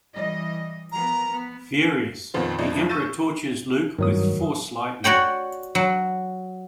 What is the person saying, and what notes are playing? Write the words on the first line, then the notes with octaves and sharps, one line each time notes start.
Furious, the Emperor tortures Luke with Force lightning.
E3 G3 D#5
F3 B3 A#4 A#5
B3
F2 A#2 D#3 B3 C4
C2 F2 C#3 D#4 D5
F3
C#6 E6 G6 A6 D#7
G2 D#3 F#3 D#6
F#4 C#5 D5 G5
F#3